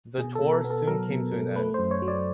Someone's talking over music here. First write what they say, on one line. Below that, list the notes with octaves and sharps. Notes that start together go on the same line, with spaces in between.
The tour soon came to an end.
B2 G#4
A4
B2
A#4
B3
A4
F#3 A#4
B2
B2
A3 B4
C5
F#2
C#5
F#3
D5